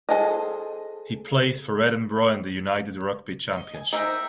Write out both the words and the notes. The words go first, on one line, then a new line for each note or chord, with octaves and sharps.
He plays for Edinburgh in the United Rugby Championship.
G#4 A4 C5 D#5
D#5
G#5
D#4 G4 A#4 C5 D5 E5